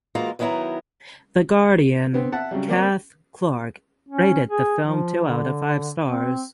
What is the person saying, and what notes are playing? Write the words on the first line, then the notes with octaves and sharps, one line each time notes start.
The Guardian Cath Clarke rated the film two out of five stars.
E3 G#3 A#3 F4 F#4 A#5
D#3 F#3 B3 E4 F#4 A#5
D3 B3 C4
E5 F#5 A5
C#3 F#3 G3
A#3 C4 D5
C#4
G#4
F3
D3
C4